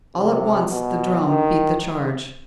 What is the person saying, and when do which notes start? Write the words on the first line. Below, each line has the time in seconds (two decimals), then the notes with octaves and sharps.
All at once, the drum beat the charge.
0.16 C3
0.71 B2
1.25 D#3